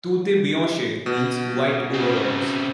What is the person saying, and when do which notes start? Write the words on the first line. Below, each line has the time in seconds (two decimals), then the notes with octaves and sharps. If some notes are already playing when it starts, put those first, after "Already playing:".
Tute Bianche means, "White Overalls".
1.06 B2
1.94 C#3 C4